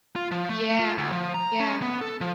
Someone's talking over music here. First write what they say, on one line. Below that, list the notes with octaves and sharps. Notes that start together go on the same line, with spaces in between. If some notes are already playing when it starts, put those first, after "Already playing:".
Yeah, yeah.
F4
F3
A3
F4
D2
F3
A#5
C#4
B3
A4
F3